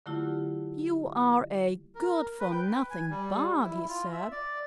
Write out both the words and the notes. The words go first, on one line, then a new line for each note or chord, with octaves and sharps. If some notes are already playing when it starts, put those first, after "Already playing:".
"You are a good-for-nothing bug," he said.
D3 F#3 A3 E4 F4 G4
A#4
B4
G5
B4
G#5
G3
E4
F4
E5
D5